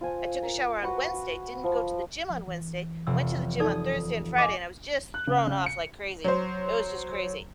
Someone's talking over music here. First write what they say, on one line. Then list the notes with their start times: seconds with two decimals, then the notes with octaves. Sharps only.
I took a shower on Wednesday, didn't go to the gym on Wednesday, went to the gym on Thursday and Friday, and I was just thrown off, like crazy. It was just crazy.
0.01 F4 C5 G#5 A5
0.43 A#4
0.83 F#4 B4 F#5
1.64 F3
2.30 F3
2.47 E3
3.07 F1 E6
3.60 D#4 A4 D5 D#6
4.38 D#5 G#5 D6
5.14 F#6
5.27 C#3
5.47 C#3
5.66 C#7
6.24 F#3 C5